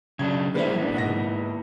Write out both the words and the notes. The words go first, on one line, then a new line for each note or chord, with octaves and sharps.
"Are you in pain?"
C#3 F#3 D4 G#6
A#3 B3 E4 B4 C5 D5
D4
G#2 F#5 A#6